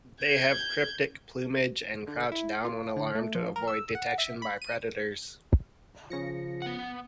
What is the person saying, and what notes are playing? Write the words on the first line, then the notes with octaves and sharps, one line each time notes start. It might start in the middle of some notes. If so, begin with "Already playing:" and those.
They have cryptic plumage and crouch down when alarmed to avoid detection by predators.
G6 G#6
D3
E4
F4
D3
A3
F3
A#4
E6
F#5
E5
B5
D#7
C#3 F3 A#6 C#7
B3 F#5